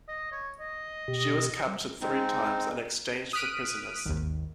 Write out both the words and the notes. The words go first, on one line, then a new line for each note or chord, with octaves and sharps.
She was captured three times and exchanged for prisoners.
D#5
C#5
D#5
B2 G4
G3
G#3 C4 D#4
D#6 F6 F#6 B6 D7 D#7
G#1 D#2